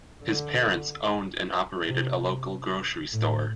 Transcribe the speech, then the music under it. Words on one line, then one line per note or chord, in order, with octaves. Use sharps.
His parents owned and operated a local grocery store.
D3
C3
A2